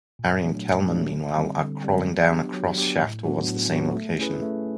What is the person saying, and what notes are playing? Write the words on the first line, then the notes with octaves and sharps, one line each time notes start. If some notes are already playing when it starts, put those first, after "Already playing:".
Harry and Kellman, meanwhile, are crawling down a cross shaft towards the same location.
A#2
F#3 A3 D4
A#2
F#3 A3 D4
D3
G3 C4
D3
G3 C4
F#3
B3 D4 G4
F#3
B3 D4 G4
A2
F#3 B3 D4 F#4
A2
F#3 B3 D4 F#4
A3
C#4 E4 G#4 B4
A3